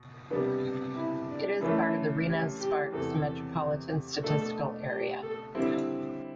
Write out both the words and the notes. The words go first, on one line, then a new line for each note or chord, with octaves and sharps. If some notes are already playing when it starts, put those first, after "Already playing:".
It is part of the Reno-Sparks Metropolitan Statistical Area.
Already playing: B2
C3 G3 B3 D4
E4
D4
F#2 E3 A3 E4
G4
G4
E2 C3 E3 A4
B2 A3 D4 A4
G4
A4
D3 G3 C4 E4